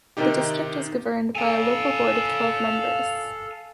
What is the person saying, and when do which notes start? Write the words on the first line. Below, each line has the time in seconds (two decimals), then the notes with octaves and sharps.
The district was governed by a local board of twelve members.
0.17 C3 D#3 D#4 G4
1.35 A4 F5 G#5